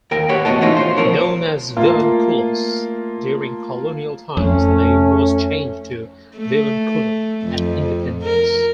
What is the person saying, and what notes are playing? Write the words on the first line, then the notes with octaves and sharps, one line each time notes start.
Known as "Vilanculos" during colonial times, the name was changed to "Vilankulo" at independence.
D#2 A#4 G5
G4 B4 C#5 F#5
E2 B3 F#4 D#5 A5
E3 A3 C#4 D#4 F4
F4 C5
F3 C4 A#4 C#5
A3 A#3 F4
F2 A3 C#4
A3
F2
A#4